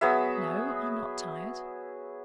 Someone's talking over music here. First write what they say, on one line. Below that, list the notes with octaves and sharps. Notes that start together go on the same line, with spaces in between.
"No, I'm not tired."
F#3 B3 G#4 E5